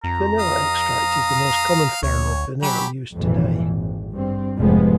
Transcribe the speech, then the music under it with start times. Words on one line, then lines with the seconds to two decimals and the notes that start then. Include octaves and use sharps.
Vanilla extract is the most common form of vanilla used today.
0.04 F2 A#5
0.39 F5 D#6
2.03 D2 C#5
2.63 F#3 G4 G#4 B5
3.16 G#1 F2 A#2 E3
3.63 G#1
4.12 G2 C4
4.59 F1 G#2 F3 G#3 B3